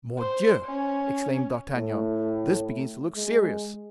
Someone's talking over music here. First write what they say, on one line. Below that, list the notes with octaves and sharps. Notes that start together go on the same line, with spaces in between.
"Mordioux!" exclaimed D'Artagnan, "this begins to look serious."
C5
C#4
A2
G#3